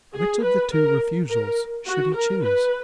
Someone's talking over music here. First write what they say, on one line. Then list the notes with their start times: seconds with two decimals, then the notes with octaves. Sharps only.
Which of the two refusals should he choose?
0.14 G#4
0.43 B4
0.71 A#4
1.29 A#4
1.87 F#4
2.15 A#4
2.44 B4